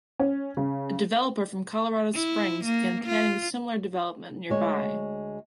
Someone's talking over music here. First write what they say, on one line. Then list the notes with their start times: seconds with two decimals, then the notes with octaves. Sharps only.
A developer from Colorado Springs began planning a similar development nearby.
0.19 C#4
0.57 C#3
2.13 E4
2.65 A#3
3.05 F4
4.50 D2 G#3 C#5